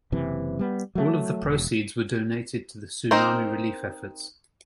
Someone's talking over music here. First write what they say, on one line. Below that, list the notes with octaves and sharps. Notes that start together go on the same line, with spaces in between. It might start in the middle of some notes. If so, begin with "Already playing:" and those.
All of the proceeds were donated to the tsunami relief efforts.
F#1 C3 E3
G3 B3
F#3 A3
E1
C4 D#4 A#4 C5